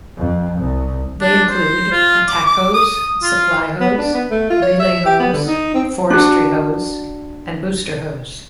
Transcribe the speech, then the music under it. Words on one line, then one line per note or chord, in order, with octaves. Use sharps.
They include attack hose, supply hose, relay hose, forestry hose, and booster hose.
F2
C2
D4
C5
F4
D6
D6
D#6
F4
B3
D4
B3
A3
F4
C#5
E5
G4
B3
D3
D#4
C4
D4 F#4